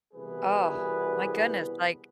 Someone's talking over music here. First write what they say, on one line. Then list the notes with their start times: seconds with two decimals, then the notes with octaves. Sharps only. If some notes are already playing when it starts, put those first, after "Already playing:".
Oh, my goodness, like
0.14 C2 B2 E3 B3 G#4 B4